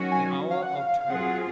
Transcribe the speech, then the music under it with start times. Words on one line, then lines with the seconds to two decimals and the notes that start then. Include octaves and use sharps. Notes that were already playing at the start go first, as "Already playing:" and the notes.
The hour of Toad!
Already playing: D#3 F#3 C#4 F#4
0.11 G#5
0.50 F5
0.63 F#5
0.75 F5
1.01 F5
1.10 F#3 C4 F4 G#4 F#5